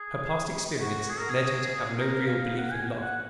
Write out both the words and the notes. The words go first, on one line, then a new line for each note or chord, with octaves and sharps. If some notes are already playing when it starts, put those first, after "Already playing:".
Her past experience led her to have no real belief in love.
Already playing: G#4
F#4
G#4
A#4
G#4
A#4
F5
F#5
G#5
F#5